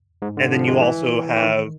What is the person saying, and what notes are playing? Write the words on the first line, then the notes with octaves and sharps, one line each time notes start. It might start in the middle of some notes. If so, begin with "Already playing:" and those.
And then you also have
G#2
D3
F3
G#3
E3
E3
D#3